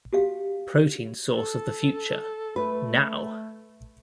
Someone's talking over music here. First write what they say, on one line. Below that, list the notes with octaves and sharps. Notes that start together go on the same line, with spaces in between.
Protein Source of the Future...Now!
F#4 G4 F5
A4
A3 B4